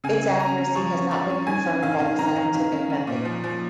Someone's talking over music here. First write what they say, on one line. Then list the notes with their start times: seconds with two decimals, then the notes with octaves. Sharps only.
Its accuracy has not been confirmed by the scientific method.
0.04 C#3 G#5
0.23 C#3
0.40 C#4 A#5
0.58 C#4
0.75 F3 C#6
0.93 C#4
1.11 F3 C#6
1.30 C#4
1.47 D#3 G#5
1.65 C#4
1.83 D#3 F5
2.00 D#3
2.19 D#3 A#5
2.37 D#3
2.55 D#3
2.72 C#4
2.90 C#4
3.07 A#2
3.25 F3
3.44 F3